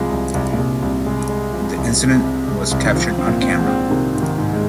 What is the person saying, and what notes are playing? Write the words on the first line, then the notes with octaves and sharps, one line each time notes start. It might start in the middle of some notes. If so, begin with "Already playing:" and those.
The incident was captured on camera.
Already playing: C2 C3 F3 G#3
C2
C2
A#2
C2 C3
C2
C3 G#3
G#3
C3 F3
C2
C3 G#3
C3
C3 G#3
C2
D#3
F3 C4
C4
A#2
C4
G#2
C4
C3 D#3
G#2
D#3
G#2
G#3